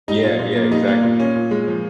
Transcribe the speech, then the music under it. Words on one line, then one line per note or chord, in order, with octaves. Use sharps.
Yeah, yeah, exactly, like
G3 D#4
A#2
A#2
A#3
G3 D#4
A#3
A#2
C#4
A#2
G#3
F3